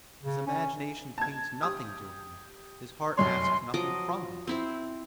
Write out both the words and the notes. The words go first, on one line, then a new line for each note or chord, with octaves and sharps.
His imagination paints nothing to him; his heart asks nothing from him.
C#3
C#4
A5 G#6
G4 D#6
F1 F#2 C#5 C6
F3 F#3 D#5 D6
C4 E4 C5